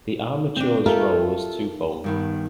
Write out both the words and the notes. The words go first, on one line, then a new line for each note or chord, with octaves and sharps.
The armature's role is twofold.
C4 D4
F4 G4 A4 A#4 E5 F5
G2 D#3 B3